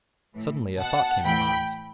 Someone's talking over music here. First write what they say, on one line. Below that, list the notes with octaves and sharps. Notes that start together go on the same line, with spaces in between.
Suddenly a thought came to Hans.
A2 E3
B2 F#5 A5
A2 E3 G5 B5